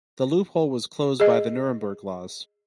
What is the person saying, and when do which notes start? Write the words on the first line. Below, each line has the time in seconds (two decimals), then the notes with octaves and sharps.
The loophole was closed by the Nuremberg Laws.
1.20 G#4 D#5